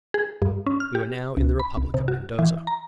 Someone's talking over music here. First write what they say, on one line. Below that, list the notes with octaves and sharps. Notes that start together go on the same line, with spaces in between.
We were now in the republic of Mendoza.
G#4
G2
C#4
F6
G4
C#2
B5
C2
C3
F#4
E3
A#5